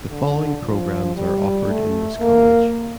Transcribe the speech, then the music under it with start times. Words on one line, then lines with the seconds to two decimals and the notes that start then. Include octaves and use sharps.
The following programs are offered in this college.
0.11 D3
0.64 F3
1.15 G3
1.68 A3
2.20 A#3